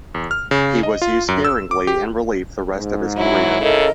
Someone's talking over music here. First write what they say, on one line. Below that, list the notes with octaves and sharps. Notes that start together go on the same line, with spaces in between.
He was used sparingly in relief the rest of his career.
E2
F6
C#3
D#5
F4
F#2
E6
D6
G4
G#2
F#3 E4
C#3 A4 A#4 D#5